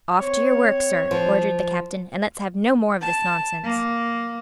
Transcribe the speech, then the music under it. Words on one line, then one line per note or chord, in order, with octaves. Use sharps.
"Off to your work, sir," ordered the captain, "and let's have no more of this nonsense."
C4 C#5
F3
A5
A#3